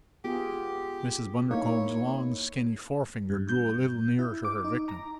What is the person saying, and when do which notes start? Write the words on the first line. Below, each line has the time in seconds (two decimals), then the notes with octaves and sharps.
Mrs. Bundercombe's long, skinny forefinger drew a little nearer to her victim.
0.25 B3 F4 G4 G#4
1.51 A#3 D#4 E4 C#5
3.30 G2
3.49 G6
4.19 E4
4.45 D6
4.64 D#4
4.88 A#5